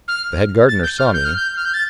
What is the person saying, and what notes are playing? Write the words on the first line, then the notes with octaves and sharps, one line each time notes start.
"The head gardener saw me?"
F6
A6
G6
F6
G6
F6
G6
F6
G6
A6